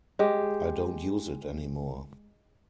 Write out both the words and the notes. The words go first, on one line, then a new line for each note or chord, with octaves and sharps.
I don't use it anymore.
G#3 G4